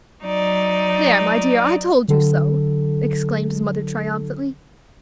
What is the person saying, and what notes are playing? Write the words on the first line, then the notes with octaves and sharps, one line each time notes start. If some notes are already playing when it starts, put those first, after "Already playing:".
"There, my dear, I told you so," exclaimed his mother, triumphantly.
F#3 D#4 D5
D3 F#3 A4